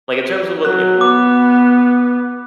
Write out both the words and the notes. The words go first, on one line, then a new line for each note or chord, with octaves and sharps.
like, in terms of what, you know,
F#3 F#6
B3 D6